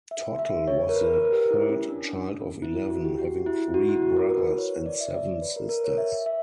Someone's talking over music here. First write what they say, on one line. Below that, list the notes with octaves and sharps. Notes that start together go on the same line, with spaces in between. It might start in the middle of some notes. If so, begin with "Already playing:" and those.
Tottel was the third child of eleven, having three brothers and seven sisters.
E5
E5
C#5
A#4
B4
A#4
A#4
G4
E4
C#4
D4
C#4
E4
E4
F#4
G4
F#4
E4
F#4
E4
F#4
A#4
B4
C#5
D5
E5
D5
C#5
B4
A#4
A#4
C#5
E5
E5